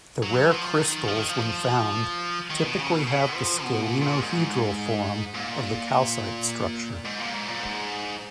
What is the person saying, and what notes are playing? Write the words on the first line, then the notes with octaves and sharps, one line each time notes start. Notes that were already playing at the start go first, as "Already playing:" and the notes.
The rare crystals when found typically have the scalenohedral form of the calcite structure.
F#3
F3
D#3
F3
D#3
F3
D#3
B2
C#3
B2
B2
F3
B2
A#2
A#2
G#2
A#2
G#2
A#2
G#2
A#2
G#2